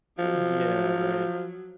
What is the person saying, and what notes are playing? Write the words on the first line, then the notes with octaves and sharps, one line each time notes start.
Yeah, right.
F3 F#3